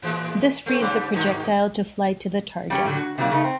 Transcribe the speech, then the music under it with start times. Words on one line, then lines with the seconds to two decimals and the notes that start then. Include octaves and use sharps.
This frees the projectile to fly to the target.
0.02 A2 E3 G#3
0.66 A3 B3 C4
0.79 G#2 C#3 G3
1.13 G2 B2 D#3
2.70 G3 C#4 G4
2.85 A2 D3 F#3
2.97 F#4
3.18 C3 D#3 F#3 G3 A#3
3.30 C#3 A3 A#3 D#4
3.44 C4